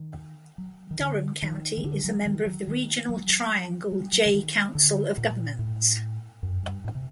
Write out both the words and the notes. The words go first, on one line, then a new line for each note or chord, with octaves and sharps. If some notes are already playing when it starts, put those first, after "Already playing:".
Durham County is a member of the regional Triangle J Council of Governments.
Already playing: D#3
F#3
D#3
D3
D#3
D#3
D3
F#3
D#3
F#3
D#3
F#3
F#3
G3
F#3
D3
D#3
D3
A#2
A2
F#2
G2
A2
C3